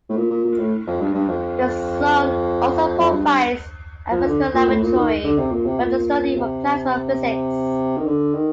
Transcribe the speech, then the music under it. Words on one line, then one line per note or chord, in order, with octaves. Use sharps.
The Sun also provides a "physical laboratory" for the study of plasma physics.
A2
A#2
A#2
A#2
A2
F2
G2
G2
F2
F2
G2
G2
F3
D3
A#2
A2
A#2
D#3
D3
C3
A#2
C3
A#2
C3
D#3
D3
D#3